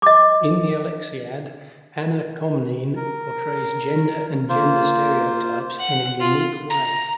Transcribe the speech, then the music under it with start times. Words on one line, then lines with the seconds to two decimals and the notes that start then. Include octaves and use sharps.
In the "Alexiad", Anna Komnene portrays gender and gender stereotypes in a unique way.
0.02 D#5 D6
2.96 A#4
4.49 A#3 F4 C5
5.80 F#5
6.20 F4
6.70 A#5